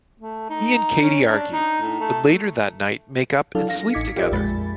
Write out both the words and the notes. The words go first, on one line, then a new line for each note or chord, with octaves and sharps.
He and Katie argue, but later that night make up and sleep together.
A3
D#4
C#4
D4
D#4
A2
A3
F#3 D4 E4 A4 F5
F5 A#6
A1 D#4 D6 G#6 B6 C#7
F4 G4 A#4 D5 E5
A#1 F2 G#3 G#5 B5 A6